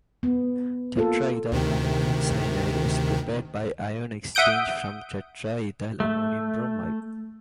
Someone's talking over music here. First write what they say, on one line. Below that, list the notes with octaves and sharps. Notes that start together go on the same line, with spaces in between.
Tetraethylammonium cyanide is prepared by ion exchange from tetraethylammonium bromide.
B3
A#3 F4 A4
D2 C3 D#3
E5 F#5 D#6 G6 D7
A3